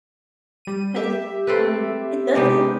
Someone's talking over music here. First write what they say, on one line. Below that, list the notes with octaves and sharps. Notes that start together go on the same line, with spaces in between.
'cause, um, it doesn't
G3 D#7
G4 E5
C4 A4 B4
G#2 C3 B3 D#4 G4